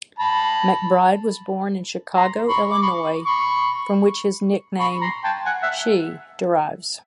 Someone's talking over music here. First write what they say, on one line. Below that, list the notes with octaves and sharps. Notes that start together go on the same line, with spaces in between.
McBride was born in Chicago, Illinois, from which his nickname, Chi, derives.
A5 B5
A#5 C6
B5 C#6
D6
B5 C#6
B5 C#6
B5 C#6
A#5 C6
G5 A5
F#5 G#5
E5 F#5